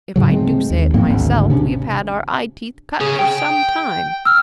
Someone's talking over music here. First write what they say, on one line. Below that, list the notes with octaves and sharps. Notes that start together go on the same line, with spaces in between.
If I do say it myself, we've had our eyeteeth cut for some time.
G#2 C#3 F#3
G#3 A3 C4
D#2
G#2 F3 A#3 C4
G#1 D2
C3 C#4 D4
C#4 G#4
G5
E6 F6